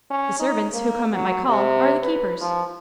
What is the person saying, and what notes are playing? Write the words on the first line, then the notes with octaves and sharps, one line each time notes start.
The servants who come at my call are the keepers.
C#4
D#4
A#3
F#3
C3
B4
F3